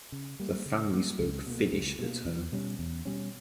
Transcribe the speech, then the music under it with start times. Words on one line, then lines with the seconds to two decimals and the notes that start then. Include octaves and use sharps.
The family spoke Finnish at home.
0.12 C#3
0.40 G3 A#3
0.66 C#3
0.93 G3 A#3
1.19 C#2
1.46 B2 A#3
1.72 C#2
1.99 B2 A#3
2.25 E2
2.52 B2 G3 C#4
2.79 E2
3.05 B2 G3 C#4